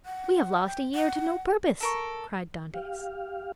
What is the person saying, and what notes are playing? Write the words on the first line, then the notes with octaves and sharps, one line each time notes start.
"We have lost a year to no purpose!" cried Dantes.
F#5
G5
F#5
A4 A#4 C#6
G4 F5